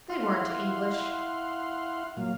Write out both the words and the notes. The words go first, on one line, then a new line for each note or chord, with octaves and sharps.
"They weren't English."
E4 F5 F#5 C6
A#2 F#3 F5